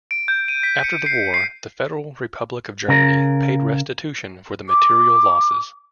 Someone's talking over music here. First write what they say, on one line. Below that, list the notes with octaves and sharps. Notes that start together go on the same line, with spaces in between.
After the war, the Federal Republic of Germany paid restitution for the material losses.
D7
G6
D#7
B6
C#7
C7
C7
C#3 A#4
D6